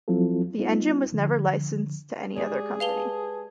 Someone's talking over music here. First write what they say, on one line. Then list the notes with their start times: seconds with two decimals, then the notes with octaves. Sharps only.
The engine was never licensed to any other company.
0.08 F3 F#3 C4 E4 F4 A4
0.59 G3 B3 D#4 F4
1.13 D3 F3
2.36 G#3 G4 G#4 D5
2.80 B4 F5 A5 F7 G7